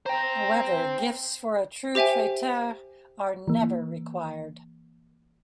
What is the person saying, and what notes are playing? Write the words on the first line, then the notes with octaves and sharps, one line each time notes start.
However gifts for a true traiteur are never required.
C5 G5 A#5
G4 C5 E5 G5 G#5
E3 A#3